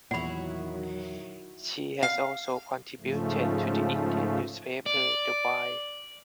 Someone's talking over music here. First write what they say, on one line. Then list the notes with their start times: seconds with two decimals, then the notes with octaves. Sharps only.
She has also contributed to the Indian newspaper "The Wire".
0.11 E2 A#2 D#3 F#3 E4 F#4 F#5 B5
2.03 F5
3.00 G#2 C#3 F3 A3
4.86 D5